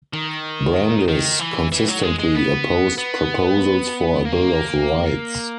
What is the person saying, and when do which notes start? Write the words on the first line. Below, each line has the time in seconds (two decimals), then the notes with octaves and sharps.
Brandis consistently opposed proposals for a bill of rights.
0.13 D#3
1.08 D#3
1.39 E3
1.72 E3
1.88 F#3
2.03 G#3
2.19 G#3
2.35 B3
2.98 B3
4.25 A#3